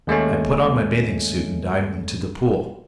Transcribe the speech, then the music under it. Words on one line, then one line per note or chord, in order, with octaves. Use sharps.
I put on my bathing suit and dived into the pool.
D#2 G#3 A3 C#4